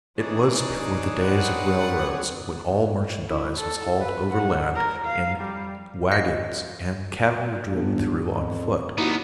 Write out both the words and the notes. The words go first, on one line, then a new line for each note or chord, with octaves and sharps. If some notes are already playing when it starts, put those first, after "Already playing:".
It was before the days of railroads when all merchandise was hauled overland in wagons and cattle were driven through on foot.
E3 D4 D#4 G#4 C#5 D5
C4 B4 F#5
E4
A4
B4
F#5
A#4
F5
G3
D#5 F5 A#6
G1
E2 G#2
F2
D#2 B3 D#4 E4 F#4